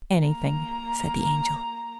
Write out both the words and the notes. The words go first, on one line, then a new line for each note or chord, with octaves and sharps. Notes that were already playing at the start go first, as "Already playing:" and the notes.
"Anything," said the Angel.
A#3 A#5